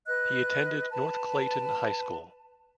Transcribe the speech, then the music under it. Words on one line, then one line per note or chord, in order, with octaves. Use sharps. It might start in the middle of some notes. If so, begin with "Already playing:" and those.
He attended North Clayton High School.
B4 D#5 F#6
B4 A5